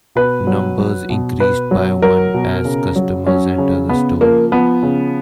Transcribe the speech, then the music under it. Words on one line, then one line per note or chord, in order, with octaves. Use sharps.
Numbers increase by one as customers enter the store.
B2 B4
F#3
F#3
B2
B2 B4
F#3
F#3 A#4
B2
C#3
F#3
F#3 C#4
C#3
C#3 B3
F3 A#3
F3 B3
C#3